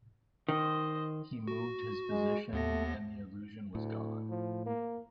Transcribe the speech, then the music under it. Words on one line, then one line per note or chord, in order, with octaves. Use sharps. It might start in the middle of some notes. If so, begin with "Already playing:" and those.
He moved his position, and the illusion was gone.
D#3 C5 D#5
F#4
G#3
D#2 A3 B3 A#6
D2 A2
F3
A#3